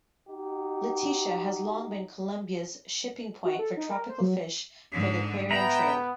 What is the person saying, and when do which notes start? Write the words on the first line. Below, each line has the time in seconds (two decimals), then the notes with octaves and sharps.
Leticia has long been Colombia's shipping point for tropical fish for the aquarium trade.
0.28 D#4 F#4 G4
3.45 F#4
3.59 A4
3.77 D#4
3.89 A#4
4.09 C5
4.21 F#3
4.92 G#2 D3
5.51 B3 E5 G5 A#5 B5